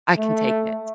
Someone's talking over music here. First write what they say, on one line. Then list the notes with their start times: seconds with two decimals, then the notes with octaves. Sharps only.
I can take it.
0.18 A3